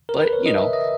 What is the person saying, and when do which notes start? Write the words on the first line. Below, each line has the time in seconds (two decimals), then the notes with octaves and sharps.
But, you know,
0.09 A#4
0.20 B4
0.33 C#5
0.46 D#5
0.58 E5
0.73 D#5